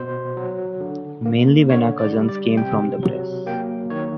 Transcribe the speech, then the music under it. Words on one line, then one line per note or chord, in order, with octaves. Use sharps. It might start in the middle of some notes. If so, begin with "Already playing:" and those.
Mainly, when our cousins came from the press.
Already playing: B2 C5
F#3
D3
A#3
D3 C#5
D5
G3
D5
C3 G5
F#3
A#3 G5
D#3 C#5